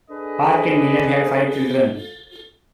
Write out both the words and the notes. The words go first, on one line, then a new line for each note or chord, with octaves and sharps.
Park and Niland had five children.
D4 G#4 A4 B4 D#5